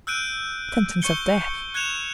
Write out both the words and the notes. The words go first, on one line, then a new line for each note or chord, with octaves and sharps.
"Sentence of death."
E6 F#6 G6 D7 D#7
C#6 G6 C#7 G7
F#6 G#6 C#7 E7 F7